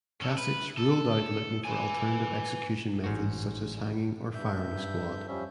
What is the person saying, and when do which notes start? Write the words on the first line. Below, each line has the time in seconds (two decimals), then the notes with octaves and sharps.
Kasich ruled out looking for alternative execution methods such as hanging or firing squad.
0.22 C#4 A4
0.38 B4
0.77 A4
1.65 B4 G#5
3.04 A1 G#2 F#4
4.34 G2 E5 G6
5.28 F3 G3 C#4 E5